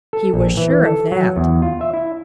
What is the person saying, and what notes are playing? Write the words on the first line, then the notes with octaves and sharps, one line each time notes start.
He was sure of that.
A4
A#1
E3
E3
A4
F#3
E2
F4
E5
E4